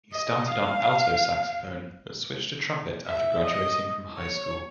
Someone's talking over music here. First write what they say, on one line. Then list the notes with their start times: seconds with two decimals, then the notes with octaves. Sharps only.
He started on alto saxophone, but switched to trumpet after graduating from high school.
0.12 D#5
0.50 F5
3.07 E5
3.44 D#5
4.17 C#5